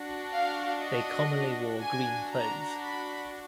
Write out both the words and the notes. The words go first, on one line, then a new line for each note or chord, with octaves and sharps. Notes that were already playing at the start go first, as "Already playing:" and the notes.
They commonly wore green clothes.
Already playing: D4 F#4
F5
D#5
D4 F#4 G#5
A#5
B5